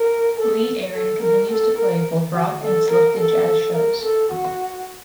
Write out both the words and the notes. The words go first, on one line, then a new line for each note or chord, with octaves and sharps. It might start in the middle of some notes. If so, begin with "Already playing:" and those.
Lee Aaron continues to play both rock and selected jazz shows.
Already playing: A#4
A4
A4
A#4
A4
A#4
F#4
A4
A#4
A4
A#4
A4
F#4